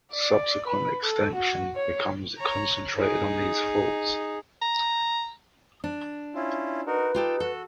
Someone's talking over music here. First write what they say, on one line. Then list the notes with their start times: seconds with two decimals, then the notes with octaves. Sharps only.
Subsequent extension becomes concentrated on these faults.
0.13 D5
0.68 B4
1.03 A4
1.35 F#4
1.76 C#5
2.38 C#5 A#5
2.96 D#4 G#4
4.62 A#5
5.84 D4
6.35 C#4 E4 F4
6.87 D#4 F#4 A#4 B4
7.14 D#4 F4 G4 A4
7.40 F#4 A4